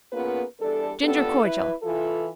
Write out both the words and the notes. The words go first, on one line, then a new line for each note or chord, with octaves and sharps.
Ginger cordial.
A#3 B3 C#4 F4 G#4 B4
E2 G3 D4 A4
A2 B3 D4 F4 G4 A4
E4 B4
E3 F4 A4